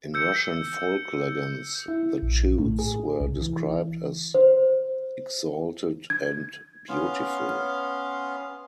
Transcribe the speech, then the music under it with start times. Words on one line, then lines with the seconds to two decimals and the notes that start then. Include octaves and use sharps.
In Russian folk legends, the Chudes were described as exalted and beautiful.
0.14 E6 G6 C#7
1.88 E4
2.22 A#1
2.59 A2
2.79 G#4
3.20 C2
3.41 E3
4.34 C5
6.10 G#6
6.89 B3 C#4 F5 C6